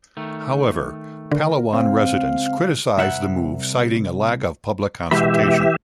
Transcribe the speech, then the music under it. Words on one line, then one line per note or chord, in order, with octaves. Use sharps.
However, Palawan residents criticized the move citing a lack of public consultation.
D#3 A3
D3 A#4
C#2 C4 F5
C2 E5 F#5
B2 E3 G#3 G4 E5 B5